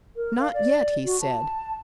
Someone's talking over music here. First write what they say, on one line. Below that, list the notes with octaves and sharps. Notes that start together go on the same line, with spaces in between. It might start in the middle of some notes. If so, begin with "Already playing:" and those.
"Not yet," he said.
A#4
F5
D5
F#4
A5